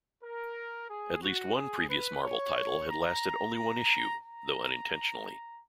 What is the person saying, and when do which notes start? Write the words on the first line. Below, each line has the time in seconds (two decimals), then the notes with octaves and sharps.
At least one previous Marvel title had lasted only one issue, though unintentionally.
0.23 A#4
0.89 G#4
1.22 F#4
1.55 G#4
1.88 B4
2.21 C#5
2.88 A#5
3.54 A#5
4.20 A#5